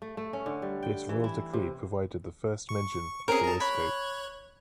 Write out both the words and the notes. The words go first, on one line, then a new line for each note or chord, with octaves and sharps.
This royal decree provided the first mention of the waistcoat.
A3
A3
C#4
D3
G3
G5
E3
E4
C3
C#6
C4 C#4 G#4 A#4 C#7
A5 A#5
C#5 B5 F#6 G#6